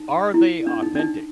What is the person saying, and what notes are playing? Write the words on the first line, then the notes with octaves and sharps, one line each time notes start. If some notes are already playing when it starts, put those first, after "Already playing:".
Are they authentic?
Already playing: D#4
E4
D4
D#4
D4
D#4